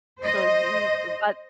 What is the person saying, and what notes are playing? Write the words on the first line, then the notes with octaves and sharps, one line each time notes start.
So you uh, what
C5 D#5